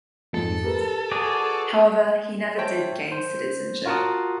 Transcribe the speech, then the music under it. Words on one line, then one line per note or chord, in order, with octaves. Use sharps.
However, he never did gain citizenship.
F2 G#2 A4
G4 A#4 B4
F#4 G#4 D5
C5 C#5 E5 G5 A5
C5
F4 F#4 A#4 F#5 A5 D#6